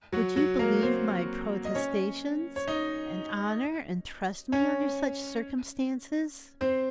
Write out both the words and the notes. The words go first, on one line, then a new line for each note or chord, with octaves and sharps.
Would you believe my protestations, and honour and trust me under such circumstances?'
F#3 F#4
F#3 F#4
A#3 A#4
C4 C5
D#5
C#4 C#5
C#5
D#4 D#5
C#4 C#5
C4 C5